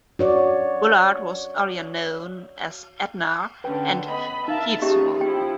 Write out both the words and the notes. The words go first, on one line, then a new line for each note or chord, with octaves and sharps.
Bullard was earlier known as "Etna" and "Hewsville".
F#4 C#5 D5
D3 C#4 B4 G5
B3 D#5 B5
D#4 A#4 E5 F5 A5
D#3 C#4 F4 G4 G#4 E5
F3 E4 G5